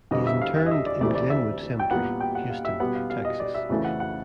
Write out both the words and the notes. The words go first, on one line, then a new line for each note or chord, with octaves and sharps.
He is interred in Glenwood Cemetery, Houston, Texas.
F2 D3 G3 B3 D#5
E5
F5
E5
D#5
E5
D5
D2 C3 E3 A3 D5
D5
E5
G5
A#2 G3 B3 F#5
G5
F#5
F5
E5
B2 G3 B3 F#5
F5
F5
D#5
D5
E5
F2 C#3 E3 A3
F#5
F#5